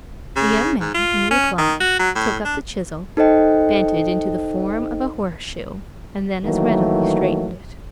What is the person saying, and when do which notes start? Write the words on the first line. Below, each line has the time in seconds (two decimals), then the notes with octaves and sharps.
The young man, in reply, took up the chisel, bent it into the form of a horseshoe, and then as readily straightened it.
0.36 C#3
0.80 G#2
0.94 F4
1.31 C#4
1.58 D#3
1.80 F#4
1.99 F#3
2.15 A2
2.44 D4
3.17 D#4 A4 C5 D#5 G5
6.46 D#3 E3 F#3 A3 A#3